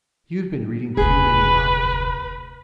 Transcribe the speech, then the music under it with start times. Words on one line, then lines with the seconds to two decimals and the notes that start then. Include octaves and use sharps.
You've been readin' too many novels.
0.97 F1 D2 G#4 B4